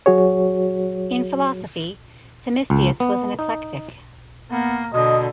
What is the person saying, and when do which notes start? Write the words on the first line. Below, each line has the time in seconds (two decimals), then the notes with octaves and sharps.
In philosophy Themistius was an eclectic.
0.06 F#3 F#4 G#4 C#5
2.70 C#2
3.00 B3
3.39 D#4
4.51 A#3 B3
4.94 B2 D3 D#5